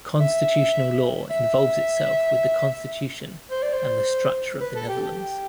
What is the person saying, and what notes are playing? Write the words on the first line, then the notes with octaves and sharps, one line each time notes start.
Constitutional law involves itself with the constitution and the structure of the Netherlands.
E5
E5
C5
D5
C5
B4
A4
G4
G4